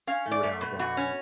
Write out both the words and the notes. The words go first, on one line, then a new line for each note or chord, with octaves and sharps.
we would have, um,
C#4 F5
A3
D5
A3
B2
B2 F#4
C#4